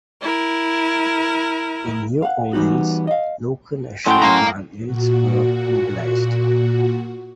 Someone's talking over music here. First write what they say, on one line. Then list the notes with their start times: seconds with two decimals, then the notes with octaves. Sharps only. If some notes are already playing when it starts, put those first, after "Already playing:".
In New Orleans, local National Guard units were mobilized.
0.21 E4 A#4
2.22 F5 F#5
2.53 E3 G3 B3 D#4 F#4
3.07 D#5 F5
4.06 A2 F#3 C#4 F#5 G5 C6
4.22 F5 A#5
4.86 A#2 F#4